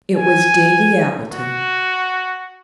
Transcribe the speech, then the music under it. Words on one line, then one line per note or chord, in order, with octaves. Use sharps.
It was Davy Appleton.
G#5
F#4